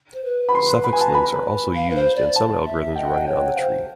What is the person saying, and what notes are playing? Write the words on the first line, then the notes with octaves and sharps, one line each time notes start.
Suffix links are also used in some algorithms running on the tree.
C5
B4
B5
C6
B5
G#5
A5
A#5
B5
F5
B4
C5
D5
A5
E5
D#5 G5
F#5
G5
C#5 G5
F#5
G5
C5 F5